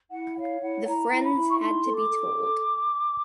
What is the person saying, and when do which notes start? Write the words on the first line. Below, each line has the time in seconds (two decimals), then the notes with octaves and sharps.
The friends had to be told.
0.11 E4 F#5
0.36 C#5 F5
0.61 E4 F#5
0.86 E4 A#5
1.10 E4
1.22 B5
1.34 E4
1.49 C#6
1.59 D#4 C6
1.84 A4
1.96 D6
2.08 A4
2.34 A4